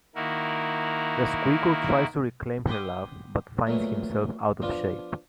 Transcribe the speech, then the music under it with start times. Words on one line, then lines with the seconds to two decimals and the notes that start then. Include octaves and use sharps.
The squiggle tries to reclaim her love, but finds himself out of shape.
0.16 D#3 A#3 E4 F#4 A#4
2.67 F#5 G5 B5 C6 D6 D#6
3.67 A#2 F#3 A3 B3
4.62 F3 B3 D4 F4